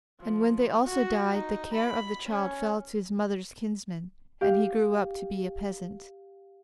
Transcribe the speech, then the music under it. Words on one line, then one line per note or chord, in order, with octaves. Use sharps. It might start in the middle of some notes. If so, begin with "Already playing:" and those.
And when they also died, the care of the child fell to his mother's kinsmen, and he grew up to be a peasant.
F3
F#4
D#4
B5
C#4
G4 F5 G6